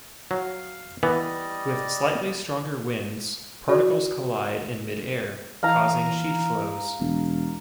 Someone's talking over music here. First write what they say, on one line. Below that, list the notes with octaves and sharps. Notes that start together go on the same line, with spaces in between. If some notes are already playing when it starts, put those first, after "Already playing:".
With slightly stronger winds, particles collide in mid-air, causing sheet flows.
F#3 F5
E3 G3 B3 D5 D#5
F#4 D5
E3 F5 A#5
E1